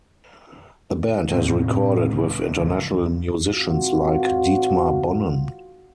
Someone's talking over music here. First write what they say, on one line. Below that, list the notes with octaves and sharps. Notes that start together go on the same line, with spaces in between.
The band has recorded with international musicians like Dietmar Bonnen.
A2 C3 C4
C#2
G#1 D2 E3 F3
G#1 F4 F#4